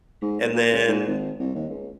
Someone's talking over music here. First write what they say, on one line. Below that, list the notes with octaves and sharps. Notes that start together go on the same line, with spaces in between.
and then
G#2
B1
A#2
C#2
G#2
G#1
C2
D#2
C#2